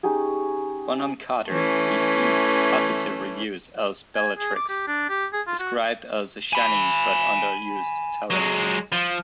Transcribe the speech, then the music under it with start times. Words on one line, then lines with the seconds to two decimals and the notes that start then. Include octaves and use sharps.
Bonham Carter received positive reviews as Bellatrix, described as a "shining but underused talent".
0.03 C#4 D#4 G4 G#4
1.50 E3 A3 C#4
4.15 G#5
4.38 G#4
4.56 D6
4.69 G4
4.88 D4
5.10 G4
5.33 G#4
5.47 F4
5.59 F#4
6.53 G#5 B5
8.30 F#3 G#3
8.92 F3